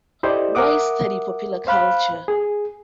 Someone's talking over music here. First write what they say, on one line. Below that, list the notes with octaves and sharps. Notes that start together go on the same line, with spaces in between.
Why Study Popular Culture?
E4 G4 A4 C5 D5 D#5
A#4 E5 F#5 D6 D#6
C5 F5 B5 F#6
G#4